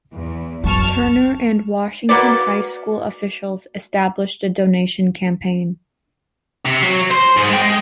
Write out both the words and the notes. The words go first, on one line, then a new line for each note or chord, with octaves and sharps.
Turner and Washington High School officials established a donation campaign.
E2
F#2 F#3 A5 C#6 F6
A#3 F#4 B4 D5
C3
F#3
C5 C6
G#2 G#4
G#3 G5
G#3